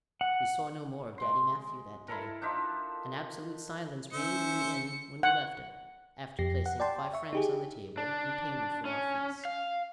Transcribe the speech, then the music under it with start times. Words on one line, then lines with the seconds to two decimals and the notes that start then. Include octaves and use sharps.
We saw no more of Daddy Mathieu that day, and absolute silence reigned in the inn when we left it, after placing five francs on the table in payment for our feast.
0.21 F#5
1.18 G#3 C6
2.08 E4 A4 A#4
2.42 D4 D#4 F4 E5
4.13 C#4 C5 E5 C#7
5.23 F#5
6.39 F2 G4 A#6 C7
6.66 F#5
6.80 D5 G5 A5 C6
7.14 E5 C#6
7.33 D#4 G4 G#4
7.98 D4
8.85 C#4
9.45 F5